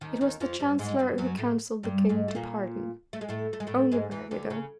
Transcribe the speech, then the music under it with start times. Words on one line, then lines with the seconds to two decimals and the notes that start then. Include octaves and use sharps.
It was the Chancellor who counselled the king to pardon; only rarely, though.
0.01 D#2 D#3
0.21 D#2 D#3
0.40 F2 F3
0.60 G2 G3
0.79 G#2 G#3
0.99 G2 G3
1.18 F#2 F#3
1.37 A2 A3
1.83 G2 G3
2.09 G#2 G#3
2.28 A3
2.35 A#2 A#3
3.13 A3
3.21 G#3
3.29 A2 A3
3.53 A3
3.60 G#3
3.67 A2 A3
3.92 G#2 G#3
4.11 E2 E3
4.31 D2 D3
4.50 C#3